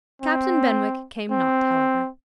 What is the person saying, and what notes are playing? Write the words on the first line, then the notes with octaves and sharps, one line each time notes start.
Captain Benwick came not, however.
C4
C4